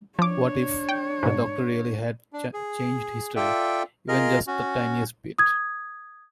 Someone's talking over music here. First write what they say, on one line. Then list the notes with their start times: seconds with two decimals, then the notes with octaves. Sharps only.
What if... the Doctor really had changed history, even just the tiniest bit?
0.19 F3 D4 C#5 D6
0.89 G5
1.23 G#2 B2
2.33 D4
2.54 G#4
3.36 F4 A4 D5 E5 G5
4.08 F4 G#4 A#4 D#5 F6
4.47 C#4 F#4
5.39 D#6 G#6